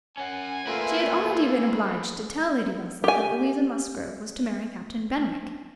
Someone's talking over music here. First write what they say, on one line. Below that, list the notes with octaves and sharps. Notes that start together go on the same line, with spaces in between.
She had already been obliged to tell Lady Russell that Louisa Musgrove was to marry Captain Benwick.
C#4 F#5 G#5
A3 A#3 F4 G#4 B4
G4 G#5